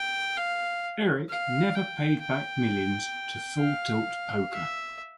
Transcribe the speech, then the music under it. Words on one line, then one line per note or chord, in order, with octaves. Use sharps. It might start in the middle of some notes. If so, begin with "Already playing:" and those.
Erick never paid back millions to Full Tilt Poker.
Already playing: G5
F5
F5
G5
G5
F5
E5